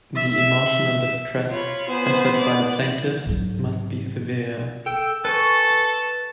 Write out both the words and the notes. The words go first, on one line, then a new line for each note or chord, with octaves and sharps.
The emotional distress suffered by the plaintiffs must be severe.
E5
F4 C#5 B5
B3 C5 G#5 B5
D5
G#2 F#3
A4 G5
A4 B4 G#5 A5 C#6